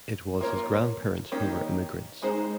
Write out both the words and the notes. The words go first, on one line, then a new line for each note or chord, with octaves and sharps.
It was his grandparents who were immigrants.
A#3 F4 A#4 C#5
D#3 A#3 D#4 G4 C#5
G#3 D#4 G#4 C5